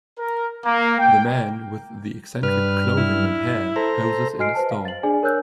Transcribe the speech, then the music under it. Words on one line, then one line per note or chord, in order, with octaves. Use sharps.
The man with the eccentric clothing and hair poses in a store.
A#4
A#3
G5
G2 B4 F6
E4
A4 C5 A#5
F#4 D#5 G#5 F6 C7 D7
B4 C5 A5
F5
A6 F#7
D4 G#4 D5 G#5
A#4 C#5 G#5 E6 F#6 G6